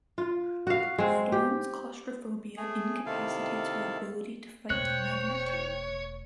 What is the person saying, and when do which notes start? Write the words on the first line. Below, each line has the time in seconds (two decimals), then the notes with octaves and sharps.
Storm's claustrophobia incapacitates her ability to fight Magneto.
0.18 F4
0.67 F#4 F5
0.98 G#3 C4
1.32 G4
2.56 A3 G#4
3.06 C3 D#3 E4 A4 F5
4.70 E1 A3 C5 C#5 G5 F#6